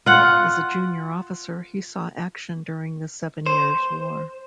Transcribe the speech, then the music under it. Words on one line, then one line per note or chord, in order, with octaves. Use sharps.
As a junior officer he saw action during the Seven Years' War.
F4 F#5
C5